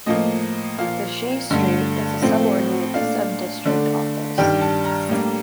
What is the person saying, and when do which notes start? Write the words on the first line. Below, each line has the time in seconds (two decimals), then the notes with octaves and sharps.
The Shi Street is a subordinate subdistrict office.
0.06 A2 F3 A#3 D#5
0.78 A#2 F3 A#3 F5
1.51 G2 D3 A3
2.22 A2 F3 A3 C4
2.94 A#2 A3 D4 F5
3.65 D3 A3 D4
4.38 G2 D#3 G3 D4 G5
4.61 A5
4.85 A#5
5.09 A2 G3 A#3 D4